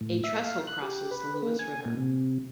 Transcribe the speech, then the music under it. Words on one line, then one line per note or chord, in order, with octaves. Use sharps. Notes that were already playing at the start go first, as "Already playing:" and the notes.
A trestle crosses the Lewis River.
A2
E5
F5
F#6
G4
B4
A#3
G#5
A#2
C3